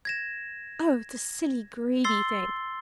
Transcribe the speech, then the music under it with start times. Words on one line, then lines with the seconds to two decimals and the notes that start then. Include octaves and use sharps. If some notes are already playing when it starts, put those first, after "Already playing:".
Oh, the silly, greedy thing!
0.05 G#6 A#6 E7
2.04 C6 E6 A6 C7 G7